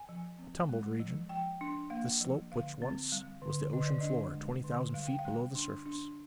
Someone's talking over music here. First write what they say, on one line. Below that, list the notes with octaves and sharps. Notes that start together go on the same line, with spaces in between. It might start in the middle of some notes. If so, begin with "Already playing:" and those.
A tumbled region, this slope which once was the ocean floor twenty thousand feet below the surface.
Already playing: G#5
F3
C4
G#3
F3
F3 G5
D4
A#3 F5
F3
D3 F5
C4
G3
D3
D3 D#5
D5
D4 D#5
G#3
D3
G3 F5
G5
F5
G3
D4
D4